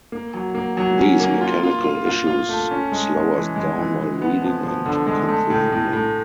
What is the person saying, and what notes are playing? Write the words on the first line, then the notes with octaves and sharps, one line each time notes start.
These mechanical issues slow us down while reading and comprehending.
A#3
F#3
A#3
F#3
C#4
A#3
F4
F4
F4
F4
F4
A3
C#4
G#3
G#3
E3
G#3
E3
G#3
B3
F3
F3
D3
G#3
A3
A2
A2
A2